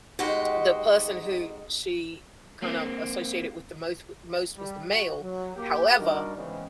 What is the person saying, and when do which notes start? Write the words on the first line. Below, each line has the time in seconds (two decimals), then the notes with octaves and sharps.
the person who she kind of associated with the most with the most was the male. However,
0.19 F2 G#3 D#4 F#4 G4
2.62 A#3 C4
4.56 G3
4.90 F#4
5.21 F#3
5.56 A#3 G4
5.98 G3 D4 D#4 F#4 A#4
6.36 C#3 E3 G#3 B3 C4